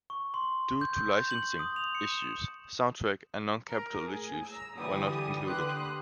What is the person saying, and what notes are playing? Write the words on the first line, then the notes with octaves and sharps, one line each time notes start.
Due to licensing issues, soundtrack and non-Capitol videos were not included.
C#6
C6
G6
G6
F#7
D#6
F7
C#7
E7
A#4
A2 G#4
A#5 E6
D3 E3 G3 G4 D#6
D3 G4 B4 C6 D#6 F#6